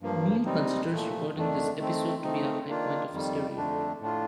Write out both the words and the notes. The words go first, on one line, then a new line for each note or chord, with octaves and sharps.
Neill considers recording this episode to be a "high-point" of his career.
G2 F3 A#3
C3 G3 C4 D#4
A#2 F3 A3
F2 D#3 A3 D4
D#3 A3 C4
D#3 A3 C4 D#4
D#3 A#3 D4 F4
F2 D#3 G3
F2 D3 A3 D4
A2 A3 D4 F4